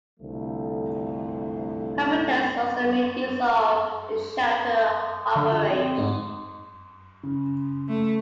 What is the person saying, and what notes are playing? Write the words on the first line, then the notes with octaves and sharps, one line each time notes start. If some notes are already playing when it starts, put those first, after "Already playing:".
Privateers also made use of the sheltered harbourage.
C2 D3 F3 A3
D3
F3
C4
G#2
C#3
A3